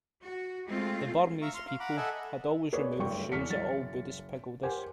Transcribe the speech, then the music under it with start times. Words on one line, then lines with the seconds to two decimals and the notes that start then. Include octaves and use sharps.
The Burmese people had always removed shoes at all Buddhist pagodas.
0.23 F#4
0.67 G#3 A3 C4 F4
1.42 E5 F5 A#5 C#6
1.54 C6 F6
1.68 F5
1.80 F#5 A#5 B5 D6
1.97 A4 D#5 E5 F#5 G#5
2.72 A#3 G#4 B4 C#5 D5
2.99 F#1 D2 G2 G5 C#6
3.32 E2 F6 B6 C#7
3.50 F#1 A6
4.63 G4 A#4 C5 F#5 G#5